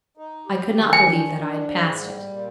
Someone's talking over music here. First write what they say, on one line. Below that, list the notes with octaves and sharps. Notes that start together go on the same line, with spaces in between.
I could not believe that I had passed it.
D#4
G4
D#3
G#5
D4
D4
G#2
G3
A#2